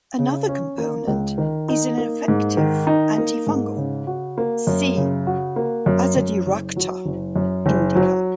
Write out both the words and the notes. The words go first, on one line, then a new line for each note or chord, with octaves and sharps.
Another component is an effective anti-fungal; see "Azadirachta indica".
C#3
C#4
A#3
C#2
D#3
D#4
A#3
G#2
D#3
D#4
A#3
G#2
C#3
F#4
A#3
F#2
C#3
F#4
A#3
F#2
F#2
F#1
F#3
F#1
F#2
F#1
F#3